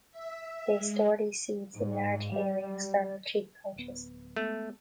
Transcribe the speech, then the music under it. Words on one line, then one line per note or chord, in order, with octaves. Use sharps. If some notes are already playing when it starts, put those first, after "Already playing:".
They store these seeds in large hairy external cheek pouches.
E5
G#3
G#2
G3
D1 B3
G#3 A3 B3